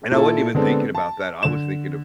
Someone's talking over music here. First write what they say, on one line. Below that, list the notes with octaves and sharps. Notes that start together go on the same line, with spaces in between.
and I wasn't even thinking about that. I was thinking of
A#2 E4 A4
D3 G#3 B3 C4 D4 A4
A5
D3 E7